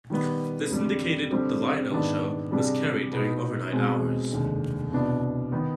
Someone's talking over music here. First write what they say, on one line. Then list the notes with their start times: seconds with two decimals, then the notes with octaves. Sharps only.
The syndicated The Lionel Show was carried during overnight hours.
0.10 D#3 G3 B3
0.71 F2 D3 G3
1.31 D3 G3 C4 G4 C5
1.91 G#2 D#3 B3 D4
2.51 C3 G3 D4 G#4
3.11 B2 B3 D#4
3.72 B2 G#3 C4
4.31 F1 D#2 D3 G#3
4.91 C2 B2 B3 D4
5.52 D#3 B3 D#4